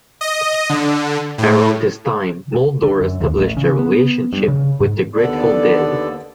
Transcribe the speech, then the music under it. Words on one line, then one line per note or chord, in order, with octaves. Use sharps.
Around this time, Muldaur established a relationship with the Grateful Dead.
D#5
D3
A2
D3
F#2
D#2
A1
C#3
B3
G2
C#3
G#2
D#2 D3 B3 A4 D5